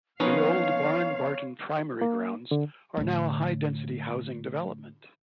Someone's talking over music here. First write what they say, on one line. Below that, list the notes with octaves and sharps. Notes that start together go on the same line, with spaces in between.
The old Barne Barton Primary grounds are now a high density housing development.
F3 A#3 B3 C#4 D#4 B4 C#5 F5
A#3
D3
A2 D3